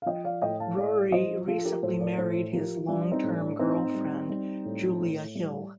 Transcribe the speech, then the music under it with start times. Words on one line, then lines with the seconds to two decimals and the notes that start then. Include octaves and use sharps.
Rory recently married his long term girlfriend Julia Hill.
0.02 F5
0.06 F3 D#5 G5
0.24 D5 F5
0.42 A2 D#5 G5
0.60 F5 A5
0.77 A2 D5 F5
1.12 F3 C5 D#5
1.47 F3 F4 A4
1.58 A4
1.65 G4 A#4
1.82 A2 A4 C5
2.00 A#4 D5
2.18 A2 A4 C5
2.53 F3 G4 A#4
2.88 G3 D4 F4
3.05 D4
3.12 C4 D#4
3.23 A2
3.36 D4
3.59 A2 C4 D#4
3.95 G3
4.29 G3
4.65 A2
5.00 A2
5.35 G3